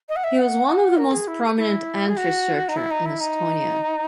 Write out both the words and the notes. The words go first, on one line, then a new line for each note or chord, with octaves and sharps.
He was one of the most prominent ant researcher in Estonia.
D#5
F#5
E5
F#5
F#5
A#4
G#4
E4
E4
G#4
F#4
D#4
E4
D#4
E4
D#4